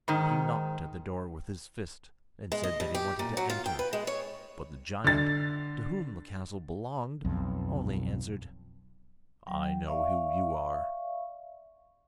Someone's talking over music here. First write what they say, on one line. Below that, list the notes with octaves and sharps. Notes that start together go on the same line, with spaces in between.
He knocked at the door with his fist, and said that he wanted to enter; but the giant, to whom the castle belonged, only answered: 'I know who you are.
G#2 D#3
G#3
D#5
G2
G4
A#2
F#3
F4
G5
B4
G#3
C#5
D3 A6
B1 F2
F#3 G5
D5 E5 F5 C#6